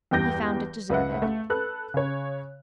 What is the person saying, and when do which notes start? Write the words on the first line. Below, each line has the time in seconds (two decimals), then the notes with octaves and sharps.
He found it deserted.
0.11 E2 G2 G5 G6 A#6
0.90 C#2 B4 E5 F#5
1.22 A3
1.50 A4 B4 F#6
1.94 C#3 C#5